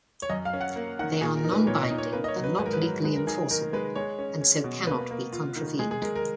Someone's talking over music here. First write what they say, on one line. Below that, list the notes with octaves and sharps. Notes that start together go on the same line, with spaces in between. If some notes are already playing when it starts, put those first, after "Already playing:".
They are non-binding and not legally enforceable and so cannot be contravened.
C#5
F#2 D#5
F5
C#4
F#5
A#3
D#3 F#5
A#2 G#4
A#4
D#4
B4
A#2 C#5
D#5
D#4
C#5
A#3 B4
D#5
C#5
F#3
B4
G#2 B4
A#4
B4
F#3 A#4
G#3 B4
A#4
D#4 G#4
D#3 A#4
G#3 B4
G#3 C#5
C#4
C#4
B2
A#3 B4
A#3
F4
D#3
G#3 G#4
G#4
G#3 A#4
A#4